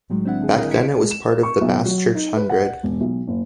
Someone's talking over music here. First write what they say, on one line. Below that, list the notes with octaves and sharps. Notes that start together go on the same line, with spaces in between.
Back then it was part of the Baschurch Hundred.
A2 D#3 F#3 G#3
C4 D4 E4 F#5
D3 G#4
E4 G#4 A#4 D#5 F5 A#5
G#6 B6 C#7 D7
G#3
E7
C#6
B1
F#3
D#4
B4
F#5
E1
B1
F#1